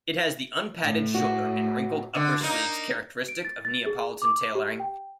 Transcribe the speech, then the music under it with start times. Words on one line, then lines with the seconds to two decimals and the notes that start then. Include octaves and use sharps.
It has the unpadded shoulder and wrinkled upper sleeves characteristic of Neapolitan tailoring.
0.83 A2
1.14 F#4
2.15 D3
2.41 A#3 D#4
3.28 D7
3.45 A6
3.65 A6
3.86 G#4
4.22 D6
4.55 G4
4.80 G5